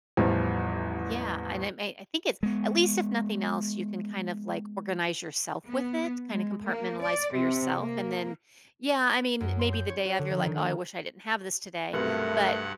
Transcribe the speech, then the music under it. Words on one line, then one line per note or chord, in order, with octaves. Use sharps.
Yeah, and it may I think it's at least if nothing else you can, kind of, like, organize yourself with it, kinda compartmentalize for yourself, and then yeah, I mean, eh, maybe the day of you're like, "Oh, I wish I didn't have this today." But,
A1 E2 E3 F3 G3
G#3 B3
B3
G#3
A#3
D5
C3
A#3
F#2
C6
G6
C#5
F#4
D3
F3
D#3
A#3
B1 G2 C3 A3 A#4 F#5